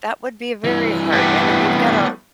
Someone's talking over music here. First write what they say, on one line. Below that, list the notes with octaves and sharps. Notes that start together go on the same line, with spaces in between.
that would be very hard. I know we've gotta
G2 E3
A3 B3 G4